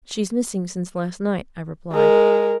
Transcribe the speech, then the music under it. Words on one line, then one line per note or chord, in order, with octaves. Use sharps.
"She's missing since last night," I replied.
G#3 A#4